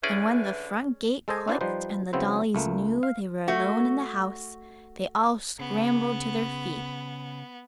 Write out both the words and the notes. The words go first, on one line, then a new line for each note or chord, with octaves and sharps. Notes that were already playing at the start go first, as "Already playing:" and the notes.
And when the front gate clicked and the dollies knew they were alone in the house, they all scrambled to their feet.
D3 E3 C#4 G#4 D5
G#3 A4 C5 D#5 G#5
C#4 D4 E4 F#4 C5 D5
F3 G3 D#4 B4 C5
C#3 F#3 B3 C4 E4 C5
C#2 A3 A#3
F5
A3 F#4
C#3 B3